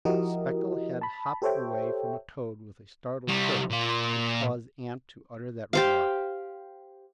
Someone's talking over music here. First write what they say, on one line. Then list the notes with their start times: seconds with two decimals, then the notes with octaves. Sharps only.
Speckle had hopped away from a toad with a startled chirp, which caused aunt to utter that remark.
0.05 F3 E4 F#4 G4 A#4 D#5
1.01 A5 B5
1.42 G4 A4 C5 C#5 E5 G5
3.28 C2 G3
3.70 A#2 F4
5.73 G4 C5 F5